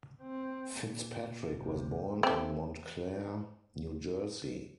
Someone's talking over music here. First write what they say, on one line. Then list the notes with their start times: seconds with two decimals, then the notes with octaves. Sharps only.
Fitzpatrick was born in Montclair, New Jersey.
0.23 C4
0.81 A#2
1.56 F#1 C3
2.23 A3 C4